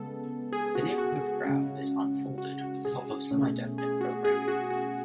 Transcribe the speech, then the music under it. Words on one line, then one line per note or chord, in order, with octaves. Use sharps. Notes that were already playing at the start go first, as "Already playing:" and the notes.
The neighbourhood graph is "unfolded" with the help of semidefinite programming.
Already playing: C#3 G#3 B3 A4
G#4
F#4
F#4
C#3 G#3 C#4
F#4
F#4
G#4
B2 A3 C#4
G#4
F#4
G#4
F#4
F#4